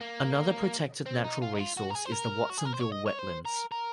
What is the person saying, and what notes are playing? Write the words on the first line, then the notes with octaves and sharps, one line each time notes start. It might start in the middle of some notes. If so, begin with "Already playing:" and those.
Another protected natural resource is the Watsonville wetlands.
A#3
C4
D#4
F4
D#4
F4
F#4
A#4
G#4
C5
A#4
F#4
G#4
A#4
C5
C#5
D#5
C#5
C5
A#4
A#4